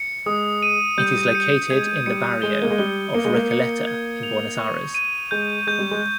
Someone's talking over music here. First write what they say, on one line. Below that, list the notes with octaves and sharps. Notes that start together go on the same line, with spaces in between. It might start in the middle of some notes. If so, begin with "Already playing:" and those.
It is located in the barrio of Recoleta in Buenos Aires.
Already playing: C#7
G#3 D#6
D#7
G3 G6
C#7
G#3 G#6
G3 C#7
G#3 G7
A#3
G#3
G3 G7
A#3 C#7
G#3
A#3
C#7
G#6
F7
C#6
D#7
G#3 G6
G#3 G6
G3
G#3